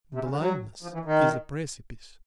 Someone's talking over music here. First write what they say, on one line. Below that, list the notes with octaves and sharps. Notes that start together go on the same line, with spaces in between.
Blindness is a precipice.
C3
C#3
D3
F#3
F3
E3
D#3